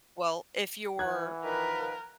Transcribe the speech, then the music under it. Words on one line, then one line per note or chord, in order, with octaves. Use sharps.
Well, if you're
E3 F#5 F#6 G#6
D#3 F3 A#4 B4